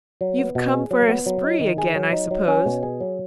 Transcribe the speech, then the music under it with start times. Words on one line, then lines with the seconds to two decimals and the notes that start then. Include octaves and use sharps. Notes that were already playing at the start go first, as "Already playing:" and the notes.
You've come for a spree again, I suppose?
0.21 F#3
0.39 B3
0.55 B2
0.73 G#4
0.91 F#3
1.09 B3
1.26 F#3
1.44 D#4
1.61 D#3
1.78 G#4
1.95 F#3
2.13 D#4
2.31 F#3
2.48 C#4
2.66 B2
2.83 G#4
3.00 F#3